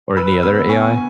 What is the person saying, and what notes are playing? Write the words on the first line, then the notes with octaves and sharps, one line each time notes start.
or any other AI?
B4 B5 E6
B3 B5 E6
B3 G#5 C#6